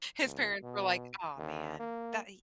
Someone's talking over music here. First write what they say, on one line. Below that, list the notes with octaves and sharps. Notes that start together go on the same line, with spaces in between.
His parents were like, "Aw, man, that he
C#2
B2
D#2
A#3